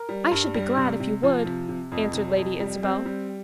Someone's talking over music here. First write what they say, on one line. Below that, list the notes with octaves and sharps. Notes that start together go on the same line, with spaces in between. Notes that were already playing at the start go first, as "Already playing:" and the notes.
"I should be glad if you would," answered Lady Isabel.
Already playing: A#4
G3
G2
G3
C3
C3
F3
C3
C3
F2
C3
F2
G3
C4
G3